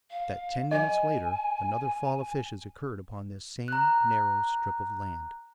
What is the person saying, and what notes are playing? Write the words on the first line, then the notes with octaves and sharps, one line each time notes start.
That ten minutes later another fall of fishes occurred upon this same narrow strip of land.
F5
D#5 G#5
A#5 F#6